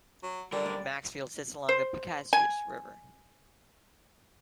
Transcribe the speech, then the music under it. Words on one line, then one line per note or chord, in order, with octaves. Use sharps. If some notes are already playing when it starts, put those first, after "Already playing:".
Maxfield sits along the Piscataquis River.
F#3
B1 D3 G3 A#4
D5
C5
G#5